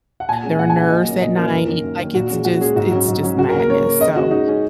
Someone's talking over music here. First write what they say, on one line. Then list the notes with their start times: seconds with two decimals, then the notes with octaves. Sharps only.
they're a nurse at night, like, it's just it's just madness, so,
0.20 F#5
0.29 A#2 G#5
0.43 G#3 C#4
0.59 A#2 F#5
0.70 G#5
0.75 G#3 C#4 F#5
0.90 A#2 D#5
1.06 F#3 A#3 C#4
1.21 A#2 D#5
1.36 F#3 A#3 C#4 A#4
1.53 F#2
1.68 D#3 A#3 C#4
1.84 F#2
1.99 D#3 A#3 C#4
2.15 A#2 F#4
2.30 G#3 C#4
2.45 A#2 F#4
2.61 C#4 G#4
2.65 G#3
2.76 G#2 F#4
2.92 F#3 C#4
3.08 G#2
3.23 F#3 C#4
3.38 C#3 F#4
3.49 A#4
3.54 A#3 C#4
3.59 A#4
3.70 C#3 C#5
3.85 A#3 C#4
4.00 C#3 D#5
4.16 G#3 C#4 F#4
4.31 C#3 D#4
4.47 G#3 C#4